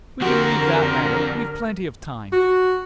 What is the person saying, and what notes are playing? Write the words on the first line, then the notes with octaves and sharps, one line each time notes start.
We can leave that matter--we've plenty of time.
D3 F3 C4 F#4 G4 A#4
F#4